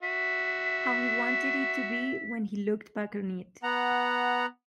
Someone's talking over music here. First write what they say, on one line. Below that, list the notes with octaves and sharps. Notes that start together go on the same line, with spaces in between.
How he wanted it to be when he looked back on it.
F#4 E5 B6
B3 F#5 A#5